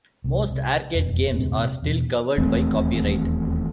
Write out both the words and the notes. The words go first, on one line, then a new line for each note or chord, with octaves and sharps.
Most arcade games are still covered by copyright.
C2
C2
E1 F2
F1 D2 A#2 C4
C3
E2 B2
D#1 E2 A3 C4